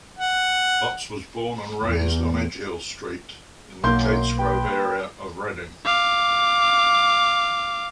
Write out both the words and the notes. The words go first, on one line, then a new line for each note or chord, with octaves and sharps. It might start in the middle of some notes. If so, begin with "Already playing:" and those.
Potts was born and raised on Edgehill Street in the Katesgrove area of Reading.
F#5
E2
B1 F#2 A#3 C6 G6
B4 G5
F5 D6